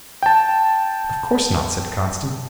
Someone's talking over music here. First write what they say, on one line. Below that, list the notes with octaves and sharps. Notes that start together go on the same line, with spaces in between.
"Of course not," said Constance.
G5 A5